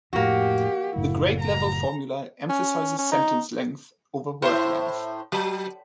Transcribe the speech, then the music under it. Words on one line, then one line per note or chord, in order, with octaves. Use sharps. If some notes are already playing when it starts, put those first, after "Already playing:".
The grade level formula emphasises sentence length over word length.
F2 A2 A#3 F#4 G4
F#1 A2 E4
A#5
C#4
C#4
D#4
A2 E4 C5
F#3